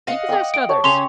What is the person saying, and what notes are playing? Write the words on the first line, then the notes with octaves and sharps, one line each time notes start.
He possessed others.
D#5 F5 F#5
G5 D6 D#6
D7
G4 C#5 A5
C#3 C#4 C6 F7